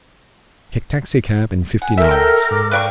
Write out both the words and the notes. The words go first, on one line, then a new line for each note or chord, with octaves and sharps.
Take taxicab and fifty dollars.
F#5 G#5
A4 A#4 E5
G5
G#2 D6
B4 D5 F5 G5 C#6